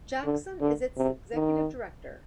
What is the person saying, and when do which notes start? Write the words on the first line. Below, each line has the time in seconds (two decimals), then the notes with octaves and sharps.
Jackson is its executive director.
0.24 D3
0.61 D3
0.97 C3
1.34 D#3